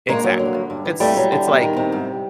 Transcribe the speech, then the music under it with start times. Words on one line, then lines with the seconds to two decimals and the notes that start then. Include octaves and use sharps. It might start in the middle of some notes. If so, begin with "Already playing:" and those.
Exactly. It's it's like
0.09 G2 G#3 A#3
0.24 F#3
0.39 D3
0.54 G2
0.70 G2
0.85 E3
1.00 F2 G3 A3
1.17 F#3
1.32 D3
1.47 E2
1.61 D#3
1.77 C3
1.92 G#2